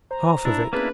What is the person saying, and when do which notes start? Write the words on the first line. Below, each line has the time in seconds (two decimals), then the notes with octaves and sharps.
"Half of it."
0.11 C5 A#5
0.45 D4 E4
0.73 A#3 B3 C#4 D4 E4 G#4 B4